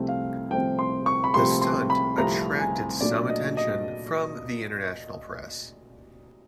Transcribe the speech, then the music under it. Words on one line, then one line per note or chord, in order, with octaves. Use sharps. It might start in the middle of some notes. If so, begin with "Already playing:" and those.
The stunt attracted some attention from the international press.
Already playing: C2 C3 F3 A3 C4
F5
C2 C3 F3 A3 C4 G5
C6
C#6
B5
C2 C3 F3 A3 C4 C6
C6
B5
C2 C3 F3 A3 C4 A#5
G#5
A#2 F#3 A3 D4 D5
D#5
D#5